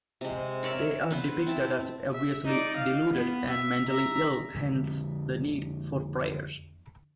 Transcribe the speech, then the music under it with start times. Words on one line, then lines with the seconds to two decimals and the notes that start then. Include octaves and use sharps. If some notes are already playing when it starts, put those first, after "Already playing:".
They are depicted as obviously deluded and mentally ill, hence the need for prayers.
0.21 C3 G#3
0.63 A#4 C#5 D5 E5
1.11 B3 B4 C5
1.46 C4 E4 A5
2.13 E5
2.45 D#4 D5
2.77 F5
3.11 B3
3.49 E5
3.87 E5 A#5
4.55 F2 D3